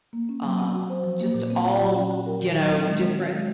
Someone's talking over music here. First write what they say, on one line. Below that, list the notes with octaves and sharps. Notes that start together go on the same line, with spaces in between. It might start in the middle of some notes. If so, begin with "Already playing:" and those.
um, just all, you know, different
A#3
C#4
F#3
C4
F#4
C5
F3
A#3
A#2
C4
F4
F#3
C#4
F#4
A#4
D#3
F#3
C4
G#3
C4
F#4
G#3